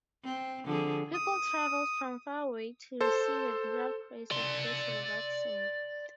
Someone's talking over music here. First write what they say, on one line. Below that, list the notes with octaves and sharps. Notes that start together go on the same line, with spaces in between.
People travelled from far away to see the burial place of this revered saint.
C4
D3 F3 G#4
D#6
A4 C5
D5 C6